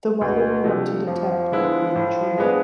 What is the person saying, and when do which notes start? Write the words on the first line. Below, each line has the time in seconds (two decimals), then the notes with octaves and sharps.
So why did we want to detect the free neutrino?
0.21 D2 B2
0.64 C3 F3 A3 D4
1.07 F2 F3
1.52 D3 G#3 B3 E4
1.95 A2
2.38 G#3 B3 D4 G#4